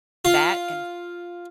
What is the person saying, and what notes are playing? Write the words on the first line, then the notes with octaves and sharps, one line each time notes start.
That and
F4